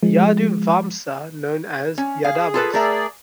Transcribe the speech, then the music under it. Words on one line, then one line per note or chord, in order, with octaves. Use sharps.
Yadu Vamsa known as Yadavas.
F3 G#3
C#4
G#4 F5
F4 A4 B4
A3 G#4 A#4 D5 E5